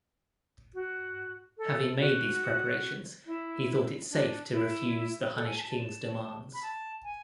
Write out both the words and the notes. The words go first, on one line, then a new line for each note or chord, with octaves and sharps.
Having made these preparations, he thought it safe to refuse the Hunnish kings' demands.
F#4
A4
F#4
E4
D4
E4
A4
G#5
A5
A5
B5
A5
G#5